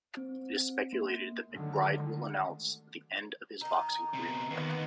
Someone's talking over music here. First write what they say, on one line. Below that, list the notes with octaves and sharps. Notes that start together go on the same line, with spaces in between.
It is speculated that McBride will announce the end of his boxing career.
C4
A#3
D3 D#3 F#3 G#3 A3
D#3 D#4
C3 B3
D#2 D#3 B3